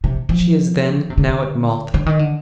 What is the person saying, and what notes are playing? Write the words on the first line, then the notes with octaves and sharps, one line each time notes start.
"She is, then, now at Malta?"
C3
F3
C3
D3
D3
D#3
D3